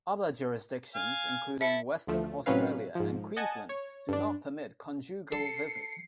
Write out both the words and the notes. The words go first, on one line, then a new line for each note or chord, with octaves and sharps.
Other jurisdictions, including Western Australia and Queensland, do not permit conjugal visits.
F5 G#5
E4 A4 E5 C#7
D2 F3 A3
A2 C3 F#3 C#4 B4 F5
G#2 F3
D#5 F#5 G#5 A5
C#5
G2 D4
A4 C7 C#7